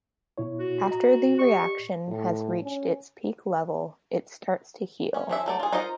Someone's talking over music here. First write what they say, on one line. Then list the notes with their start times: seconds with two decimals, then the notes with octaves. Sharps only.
After the reaction has reached its peak level, it starts to heal.
0.38 B2 E4 C#5
0.59 F#4
0.91 D#5 A#5
1.39 G4 D5 D#5 C#6
2.08 A2
2.63 C#4
5.14 C#4
5.29 F3 C#4 E5
5.46 F#3 A3 D5
5.60 F4 G#4
5.72 D#4 F4 A#4 C5 D#5